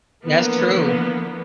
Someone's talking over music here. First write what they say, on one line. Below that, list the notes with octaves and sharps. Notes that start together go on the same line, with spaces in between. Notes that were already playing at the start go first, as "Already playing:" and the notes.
That's true.
D3 E3 F3 A#3 B3